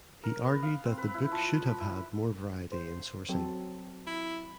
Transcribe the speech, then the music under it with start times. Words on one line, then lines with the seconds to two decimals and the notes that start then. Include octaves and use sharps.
He argued that the book should have had more variety in sourcing.
0.23 A#4
0.44 B3
0.63 F5
0.85 C4
0.98 B4
1.14 E4
1.32 F3
1.67 B5
1.80 E4
2.72 C5
3.29 F#3 C4 A4
4.07 E4